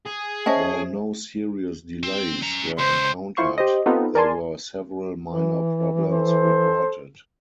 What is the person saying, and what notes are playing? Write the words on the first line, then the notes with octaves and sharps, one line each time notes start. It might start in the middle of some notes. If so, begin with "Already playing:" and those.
While no serious delays were encountered, there were several minor problems reported.
G#4
C#4 C5 D#5 E5 G#5 A5
C4
C#4 A#5
C#2 C5
E4 F4 C5 C6 C#6
G4 C5 D#5
B3 C4 D#4 F4 G4 A4
A#4 D5 G#5 A5 C6
E3
A4 C5